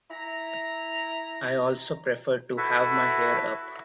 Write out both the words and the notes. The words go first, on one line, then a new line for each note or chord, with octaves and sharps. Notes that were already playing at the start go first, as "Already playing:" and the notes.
I also prefer to have my hair up.
E4 A#5
E4 F#4 A4 B4 E5